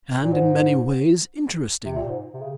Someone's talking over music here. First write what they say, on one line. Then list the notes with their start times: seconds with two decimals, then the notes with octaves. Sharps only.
And in many ways interesting.
0.24 A#2
0.33 G#2
1.85 C3
1.97 A#2
2.09 G#2
2.34 C3
2.42 C#3